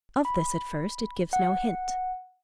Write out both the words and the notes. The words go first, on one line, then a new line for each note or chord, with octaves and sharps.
Of this at first it gives no hint.
B5
F#5